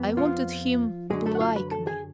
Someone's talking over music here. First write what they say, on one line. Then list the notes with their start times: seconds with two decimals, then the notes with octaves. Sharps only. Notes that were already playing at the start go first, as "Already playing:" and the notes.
I wanted him to like me.
Already playing: F2 B3
0.17 F3 F4
1.10 F#2 D3 F#3 G#3 G#4
1.26 A3 A4
1.35 F#5
1.41 F4 F5
1.56 B4 B5
1.71 A4 A5
1.87 G#4 G#5